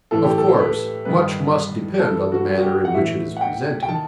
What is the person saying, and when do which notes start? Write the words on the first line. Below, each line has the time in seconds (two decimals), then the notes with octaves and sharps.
Of course much must depend on the manner in which it is presented.
0.11 A2 E3 A4
0.24 G4
0.38 A4
0.59 B4
1.05 G2 D#3 B4
1.99 G2 E3 A4
2.32 F#4
2.58 F#4
2.63 G4
2.85 F#5
2.94 A2 E3 E5
3.37 F#5
3.41 G5
3.83 G5
3.88 D#3 A5